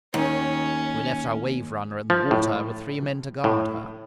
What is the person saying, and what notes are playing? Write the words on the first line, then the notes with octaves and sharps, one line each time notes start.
We left our 'Waverunner' in the water with three men to guard her.
D#2 C#4
F3
A2
A2